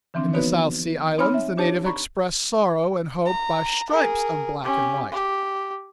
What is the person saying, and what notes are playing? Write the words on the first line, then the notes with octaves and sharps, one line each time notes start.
In the South Sea Islands the natives express sorrow and hope by stripes of black and white.
D3 E3 F3 C4 D4
B3 D#4 F#4 B4 C#5 D5
C4 D#4 C#5 G#5 B5 F6
E5
D4 D#4 G4 C#5 A5
D5 A#5 B5 C#6
A#5
G#4 A#4
C#4 G4
G4